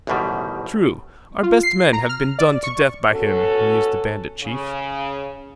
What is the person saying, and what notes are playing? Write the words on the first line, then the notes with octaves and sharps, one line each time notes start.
"True, our best men have been done to death by him," mused the bandit chief.
A1 D2 G#2 B2 D#3 G3
F4
C7
A#5
F6
D5
C#6
B2 C#4 F#4 A4
C#3